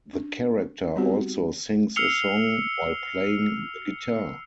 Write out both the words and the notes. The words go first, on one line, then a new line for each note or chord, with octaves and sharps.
The character also sings a song while playing the guitar.
D4
G3 B3 C4 D#4 F#4 G4
E6 F6 C7 C#7 F7 G7